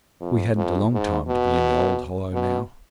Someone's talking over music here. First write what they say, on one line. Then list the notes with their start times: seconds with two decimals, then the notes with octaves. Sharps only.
We hadn't a long time to be in the old Hollow now.
0.21 F2
0.56 F2
0.93 G#2
1.28 B2
2.34 B2